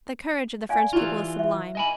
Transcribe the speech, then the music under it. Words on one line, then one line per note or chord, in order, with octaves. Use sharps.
The courage of the French people is sublime.
D5 F5 G#5
E3 E4 F4 G4 D5
E5
D#5 G#5 B5